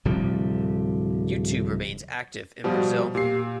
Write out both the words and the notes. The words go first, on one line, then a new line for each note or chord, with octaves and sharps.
YouTube remains active in Brazil.
D1 C3 F3 G3
B2 F3 G3 F#4
A#2 G4 C7